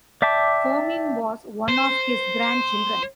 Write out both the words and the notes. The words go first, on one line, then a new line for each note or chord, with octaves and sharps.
Firmin was one of his grandchildren.
D5 E5 G5 A5 D6
C5